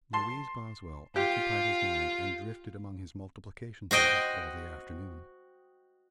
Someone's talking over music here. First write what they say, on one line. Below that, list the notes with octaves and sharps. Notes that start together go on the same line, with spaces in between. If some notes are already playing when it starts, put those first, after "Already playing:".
Louise Boswell occupied his mind and drifted among his multiplication tables all the afternoon.
A5 C6
F4 G4
F#4 C5 D#5 G5